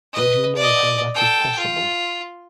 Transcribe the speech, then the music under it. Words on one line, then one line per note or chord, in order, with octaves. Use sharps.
Would you know how that is possible?
B4 D#5
D5 D#5
A4 G5
F4